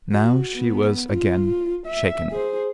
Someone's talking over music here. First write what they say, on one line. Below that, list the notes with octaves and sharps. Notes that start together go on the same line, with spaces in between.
Now she was again shaken.
F#4
B3
F4
E5
G#4 C5